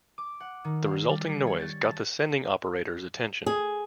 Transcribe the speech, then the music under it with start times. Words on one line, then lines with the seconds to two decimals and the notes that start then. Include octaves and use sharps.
The resulting noise got the sending operator's attention.
0.18 D6
0.40 F#5
0.64 D#3
0.84 F5
1.10 G3
1.27 G3
1.47 C#5
1.59 A6
1.83 A5
3.46 G#4